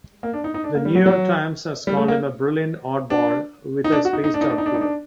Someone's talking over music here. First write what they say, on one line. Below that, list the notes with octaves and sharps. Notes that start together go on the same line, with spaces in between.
The New York Times has called him A brilliant oddball with a spaced-out flow.
A#3
D4
D#4
D#4
D4
A#3
G3
F#3
F#3
G3
A3
A#3
D4
D#4
D4
F#4
D#4
D#4
D4
D#4
D4
D#4
D4
D#4
D4